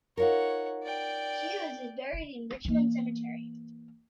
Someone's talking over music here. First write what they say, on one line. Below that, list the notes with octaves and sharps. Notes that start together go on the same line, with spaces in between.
Hughes is buried in Richmond Cemetery.
D#4 F4 A#4 C#5 F#5
D5 G5
E3 A#3